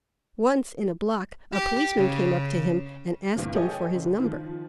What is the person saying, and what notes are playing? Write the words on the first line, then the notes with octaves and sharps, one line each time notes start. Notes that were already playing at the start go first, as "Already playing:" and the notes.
Once, in a block, a policeman came up to him, and asked him for his number.
G4
C#3
D2 G2 A#2 E3 C4
G4 A4 C#5 D#5 G5 G#5
F#1
D#3 F3